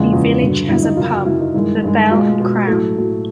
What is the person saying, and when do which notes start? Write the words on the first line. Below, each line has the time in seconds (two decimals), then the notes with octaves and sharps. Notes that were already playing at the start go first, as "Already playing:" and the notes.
The village has a pub, the Bell and Crown.
Already playing: E2 C#3 F3 G#3
0.13 E2 C#3 F3 G#3
0.41 G2 D3 F#3
0.68 G2 D3 F#3 E4
0.83 D#4
0.97 F#2 C#3 F#3 F4
1.12 F#4
1.25 F#2 C#3 F#3 E4
1.40 D#4
1.54 G2 D#3 G#3 E4
1.83 G2 D#3 G#3
2.11 B2 G#3 F4
2.40 B2 G#3
2.67 A2 F#3 A4
2.96 A2 F#3